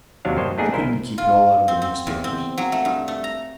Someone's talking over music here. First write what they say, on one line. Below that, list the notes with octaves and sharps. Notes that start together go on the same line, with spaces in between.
"Why couldn't you keep it all out of the newspapers?"
D#2 C3 F#3 D4 F5
G2 A#3 C5 C#5 D#5
A3 B3 D4 D#4 G#4
C2 E4 A#4 C5
F4
C4
C4
E2
C4
F#3
A3
G2
A3
A#5